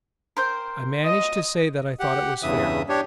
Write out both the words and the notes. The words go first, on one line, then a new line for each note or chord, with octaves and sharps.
I managed to say that I thought it was fair.
A#4 C5 G5
D#5
G4 F#5
E2 G2 C#3 E3 E5 D#6
D4 G4 C#5